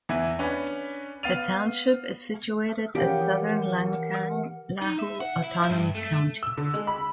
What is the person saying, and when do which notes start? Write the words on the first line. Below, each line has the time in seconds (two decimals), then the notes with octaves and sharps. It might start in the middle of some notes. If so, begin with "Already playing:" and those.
The township is situated at southern Lancang Lahu Autonomous County.
0.09 E2 E3 E4
0.39 C#4 D4 B4
1.23 B3 F5 F6 A6 D#7 F7
2.95 C#3 E3 F3 C#4 G4 A#4 F#5
4.82 D#4
4.99 E5
5.20 F#5
5.44 E4
5.70 G2
5.95 A3
6.43 E6
6.57 D3
6.74 G#3
6.87 B5